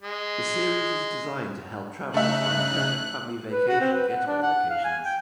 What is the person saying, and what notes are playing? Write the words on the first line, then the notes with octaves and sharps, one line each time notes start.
The series is designed to help travelers find perfect family vacation getaway locations.
G#3
C#3 A3 D#4 E5 F#6
B4
F#4
C4
B4
F#5
D4
F#5
F5
G#5
G5